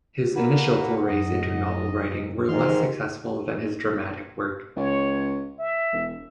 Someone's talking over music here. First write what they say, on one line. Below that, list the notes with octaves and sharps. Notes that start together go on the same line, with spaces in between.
His initial forays into novel writing were less successful than his dramatic work.
A#3 B4 F#5
F#2 D#5
G#2 D#3 E3 C6 F6
C#2 C#5
E5
E1